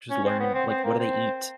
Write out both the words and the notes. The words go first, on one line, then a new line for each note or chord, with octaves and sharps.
Just learn, like, what do they eat?
C#4
C4
B3
C4
C4
A#3
C4